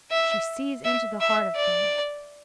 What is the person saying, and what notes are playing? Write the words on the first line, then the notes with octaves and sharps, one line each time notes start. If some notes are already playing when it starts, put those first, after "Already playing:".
She sees into the heart of things.
E5
E5
E5
D5